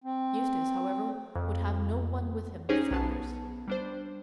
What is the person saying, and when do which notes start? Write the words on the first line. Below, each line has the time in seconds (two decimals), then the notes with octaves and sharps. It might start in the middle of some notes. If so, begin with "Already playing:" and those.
Eustace, however, would have no one with him but Saunders.
0.04 C4
1.36 F2
2.69 C#4 D#4 G4 G#4 C5 C#5
2.91 B1 B3 A5
3.68 G3 D4 C5